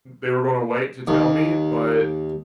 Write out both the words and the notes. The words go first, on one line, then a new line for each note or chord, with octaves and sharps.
they were gonna wait to tell me, but
D#2